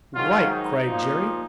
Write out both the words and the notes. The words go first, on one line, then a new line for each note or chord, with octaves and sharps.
"Right!" cried Jerry.
G#2 D#3 F#3 F4
D#4
A#2 F3